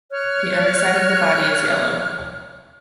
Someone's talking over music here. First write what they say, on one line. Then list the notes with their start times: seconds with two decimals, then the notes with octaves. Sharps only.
The underside of the body is yellow.
0.11 C#5 F6 F#6